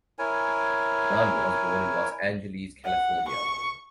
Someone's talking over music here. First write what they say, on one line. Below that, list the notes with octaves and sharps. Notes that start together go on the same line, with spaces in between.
Nunn was born in Los Angeles, California.
E4 A#4 C#5 G#5
F#5
C#6